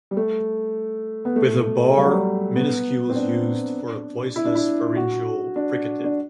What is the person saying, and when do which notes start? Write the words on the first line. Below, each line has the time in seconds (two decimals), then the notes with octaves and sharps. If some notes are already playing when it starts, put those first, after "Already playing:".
With a bar, minuscule is used for a voiceless pharyngeal fricative.
0.11 G3
0.17 A3
1.25 B3
1.36 A3
1.97 G3
2.05 F#3
2.12 G3
2.56 B3
3.10 C4
3.15 D4
4.36 E4
4.45 D4
4.55 E4
4.96 F#4
5.56 D4
6.04 D4